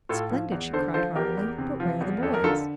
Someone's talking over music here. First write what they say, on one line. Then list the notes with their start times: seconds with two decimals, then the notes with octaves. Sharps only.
"Splendid," she cried heartily; "but where are the boys?"
0.09 A2 F4 A4
0.30 F3
0.52 E2
0.73 D3 A4 C5
0.94 F3 A4 C5
1.15 E2 G4 A#4
1.37 E2
1.58 C3
1.80 F3
2.01 E2
2.23 F2 A4
2.34 A#4
2.44 D3 F4 A4